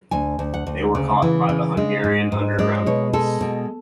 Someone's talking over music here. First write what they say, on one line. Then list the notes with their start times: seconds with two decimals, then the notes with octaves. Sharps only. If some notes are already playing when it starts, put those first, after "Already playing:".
They were caught by the Hungarian underground police.
0.11 D2 G#5
0.39 D2
0.54 F#5
0.67 D2
0.95 C#3
1.22 E3
1.49 C#3
1.77 G#3
2.04 G#2
2.32 G#2
2.59 G#3 D5
2.86 B2 C#5
3.13 G#3 A4
3.41 B2